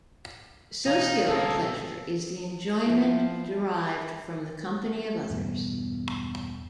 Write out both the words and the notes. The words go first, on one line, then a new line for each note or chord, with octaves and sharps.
Socio-pleasure is the enjoyment derived from the company of others.
B2 E3 D#4 F5
D1 C2 A#3 G#4 A4
F3 E4
E2 G2 B2